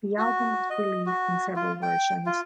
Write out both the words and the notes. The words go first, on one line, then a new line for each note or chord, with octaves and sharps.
The album was released in several versions.
F#4
D#5
F#4
F4
G5
F4